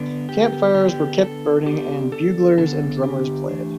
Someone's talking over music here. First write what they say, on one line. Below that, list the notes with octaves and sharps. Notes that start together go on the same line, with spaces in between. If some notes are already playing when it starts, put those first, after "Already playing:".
Camp fires were kept burning, and buglers and drummers played.
Already playing: D3 B3 D4
G4
D3 B3 D4 G4
A4
D3 B3 D4 G4
A4
D3 B3 D4 A4
G4
E3 A3 D4